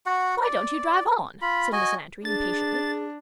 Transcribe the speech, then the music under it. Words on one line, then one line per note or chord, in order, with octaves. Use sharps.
"Why don't you drive on?" said Miss Lantry, impatiently.
F#4 F#5
D5
F4 B5
F#4 D#5 G#5
D4 G#4 A6